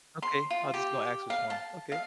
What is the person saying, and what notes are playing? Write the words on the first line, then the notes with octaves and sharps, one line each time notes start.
Okay, I was just gonna ask which one, okay.
C6
F4
G4
F5
A5
F5